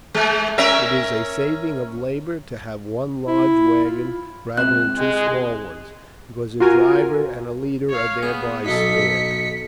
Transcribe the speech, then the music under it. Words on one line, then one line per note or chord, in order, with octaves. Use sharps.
It is a saving of labour to have one large wagon, rather than two small ones, because a driver and a leader are thereby spared.
G#3
C#4 A#4 E5
E4
F4
C#2 C4 E5 F#6
G#3 G#4
F4 F#4 A#4 G#5
C#5 F5
B3 G#4
B1 D#4 A4 B6 C#7